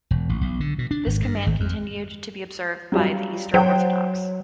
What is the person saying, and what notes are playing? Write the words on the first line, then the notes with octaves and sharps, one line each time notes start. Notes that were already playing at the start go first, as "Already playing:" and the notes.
This command continued to be observed by the Eastern Orthodox.
E1
A1
B1
D3
B2
D4
G#1
G2
G#1
F2
F#3 G3 F4
F#3 C5 F#5 G5